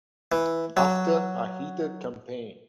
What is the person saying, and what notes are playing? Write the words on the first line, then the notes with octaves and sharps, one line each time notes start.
After a heated campaign.
E3
F#3